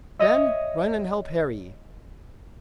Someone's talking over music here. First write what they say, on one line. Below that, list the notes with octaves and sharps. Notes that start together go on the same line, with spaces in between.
Ben, run and help Harry.
C#5 D#5 E5